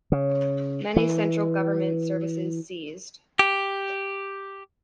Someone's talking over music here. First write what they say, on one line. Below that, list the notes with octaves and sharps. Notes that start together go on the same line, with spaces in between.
Many central government services ceased.
C#3
E3
G4